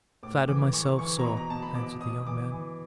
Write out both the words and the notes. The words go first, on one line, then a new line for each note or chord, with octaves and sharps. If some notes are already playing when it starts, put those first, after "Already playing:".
"I flatter myself so," answered the young man.
A2 D6
E3 D6
E3 C#6
E3 C#6
A#5
B2 B5
A#5
B2 A5
B5
B2 D6
B2 D#6
E3 D6
E3